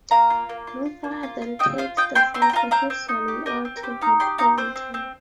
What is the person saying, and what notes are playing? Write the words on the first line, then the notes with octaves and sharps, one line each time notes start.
Luther then takes the fall for his son in order to avoid prison time.
A#3 F5 A#5
F4
A#3
F4
F4
A#3
F4
F4
C4 D#5 G5
F4 C5 F5
F4 D#5 G5
C4 G5 C6
C4 C6
A#5
G5
F4 F5 A#5
C4 F5 A#5
C4
D#4
G4
G4 A#4 D#5
C4
A#4
G4 C5
D#4 F5 A#5
G4 G5 C6
D#4 F5 A#5
C4 C5
C4
C4